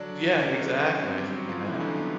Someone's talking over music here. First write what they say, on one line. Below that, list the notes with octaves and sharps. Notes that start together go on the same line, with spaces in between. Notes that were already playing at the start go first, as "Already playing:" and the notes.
Yeah, exactly, you know?
Already playing: D3 F#3 D4 D5
D3 F#3 C#4 C#5
C#5
D3 F#3 C4 C5
G3 G4
F#3 F#4
F3 F4
D3 E3 F#3 E4
D#4
D3 D4
B3